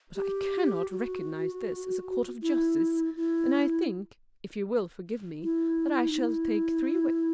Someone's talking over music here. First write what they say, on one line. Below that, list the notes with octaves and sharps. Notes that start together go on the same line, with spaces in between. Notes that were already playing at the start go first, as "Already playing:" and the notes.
But I cannot recognize this as a court of justice, and I think, if you will forgive me, that I shall take three whiffs.
G4
F#4
E4
E4
E4
D#4
E4